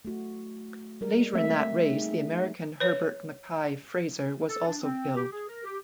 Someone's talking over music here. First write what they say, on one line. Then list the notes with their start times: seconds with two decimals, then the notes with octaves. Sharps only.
Later in that race the American Herbert MacKay-Fraser was also killed.
0.05 A3 F#4
1.01 G3 G#3 A#4
1.34 A3 A#3 C4 E5
1.90 D#4 G#4
2.80 B4 C#5
4.47 A4
4.66 D4
4.82 C4
5.16 G4
5.31 G#4
5.48 A#4
5.64 G4